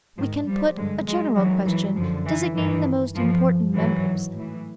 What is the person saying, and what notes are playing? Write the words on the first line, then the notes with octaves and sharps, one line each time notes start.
We can put a general question, designating the most important members.
G#2 D#3 F3
F3 G3
G2 D3 F#3 G#3
F#3 G#3
G2 D#3 E3 F#3
E3 F#3
F#2 D3 F3
E3
G2 D#3 E3
G2 E3 F3
G#2 D#3 E3 F#3
A2 E3